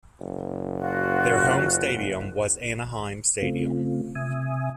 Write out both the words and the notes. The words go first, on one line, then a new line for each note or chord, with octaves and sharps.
Their home stadium was Anaheim Stadium.
F#1
F4 F#4
C#3 A3 C4 F4
C3 E5 G#5 D#6